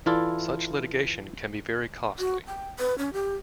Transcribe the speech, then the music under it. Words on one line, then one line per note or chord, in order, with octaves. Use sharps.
Such litigation can be very costly.
E3 E4 F4 A4 D5
F#4
G5
B4
C#4
G4